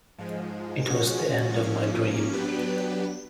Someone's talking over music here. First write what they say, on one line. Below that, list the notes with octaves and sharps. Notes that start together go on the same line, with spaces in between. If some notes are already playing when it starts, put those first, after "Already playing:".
It was the end of my dream.
G#2 F3 G#3
F3 G#3 C#4 F#4
F3 A#3 C#4
F#3 B3 D4 G4 B4